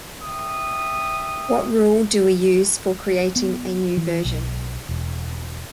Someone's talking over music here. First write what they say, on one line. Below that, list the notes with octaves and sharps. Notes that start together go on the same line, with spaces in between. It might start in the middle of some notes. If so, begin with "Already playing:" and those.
What rule do we use for creating a new version?
E5 G5 D#6
B3
E3
B1
E1